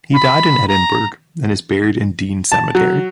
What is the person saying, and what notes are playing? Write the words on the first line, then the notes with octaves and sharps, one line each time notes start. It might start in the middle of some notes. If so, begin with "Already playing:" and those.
He died in Edinburgh, and is buried in Dean Cemetery.
B5
A#5
A5
F#3